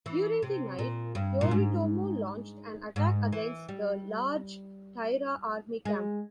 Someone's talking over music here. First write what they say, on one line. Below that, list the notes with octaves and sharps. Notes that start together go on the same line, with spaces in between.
During the night, Yoritomo launched an attack against the large Taira army camp.
E3
C3
A#2
G2
A#2
G#2
G#2
E3
G3
G#3